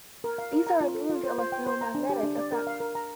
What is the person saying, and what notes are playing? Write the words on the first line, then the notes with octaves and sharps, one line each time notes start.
These are immune to electromagnetic effects.
A#4
F5
A#4
A#5
F4
A4
F4
C5
C5
G5
C5
A#5
D4
G4
D4
D5
A#4
F5
A#4
A#5